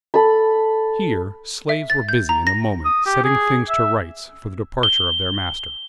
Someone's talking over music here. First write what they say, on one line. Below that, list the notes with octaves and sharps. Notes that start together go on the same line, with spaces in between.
Here slaves were busy in a moment setting things to rights for the departure of their master.
A4 B5
E5
A6
G6
A#5
A#6
D#6
G4
G#4
E5
G7